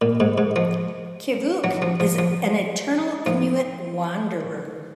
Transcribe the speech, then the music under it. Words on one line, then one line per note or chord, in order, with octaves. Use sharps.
Kiviuq is an eternal Inuit wanderer.
A#2
G#2
G#2
F3
F#3
F3
F3
F3
F3